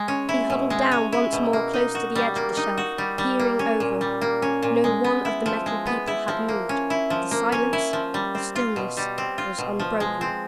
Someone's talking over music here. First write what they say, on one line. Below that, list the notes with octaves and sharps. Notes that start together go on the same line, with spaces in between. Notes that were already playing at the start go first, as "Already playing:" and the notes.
He huddled down once more close to the edge of the shelf; peering over. No one of the Metal People had moved; the silence, the stillness, was unbroken.
Already playing: G#3
C#4
E4
B2
G#3
C#4
E4
B2
A#3
D#4
F#4
G3
A#3
D#4
F#4
G3
G3
A#3
C#4
A#2
G3
A#3
C#4
A#2
G#3
B3
E4
F3
G#3
B3
E4
F3
A#3
C#4
E4
F3
A#3
C#4
E4
F3
G3
C4
F4
B2
G3
C4
F4
B2
F3
G#3
C4